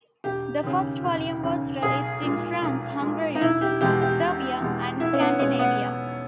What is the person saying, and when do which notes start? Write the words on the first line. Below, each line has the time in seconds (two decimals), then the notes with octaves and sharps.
The first volume was released in France, Hungary, Serbia and Scandinavia.
0.24 E1 G4
0.63 D#2 C#3
1.03 E1
1.43 D#2 C#3
1.82 B1 G#4
2.22 A#2 G#3
2.62 B1
3.01 A#2 G#3
3.35 D#4
3.41 E1 E4
3.61 G4
3.81 E2 B2 G#3 G4
4.01 G4
4.21 E1
4.60 E2 B2 G#3
5.00 B1 E4
5.13 C#4
5.20 B3
5.39 B2 G#3 C#4
5.59 B3